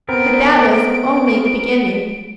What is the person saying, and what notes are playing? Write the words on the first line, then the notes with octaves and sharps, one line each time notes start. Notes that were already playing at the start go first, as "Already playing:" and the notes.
But that was only the beginning.
B3 C4 A#4 D7